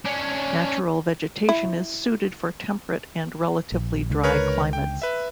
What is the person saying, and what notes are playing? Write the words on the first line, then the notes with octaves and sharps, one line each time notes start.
Natural vegetation is suited for temperate and relatively dry climates.
C#4 D4
E4
A#1
C#2 D3
A#4 B4 C#5
G5
B4 E5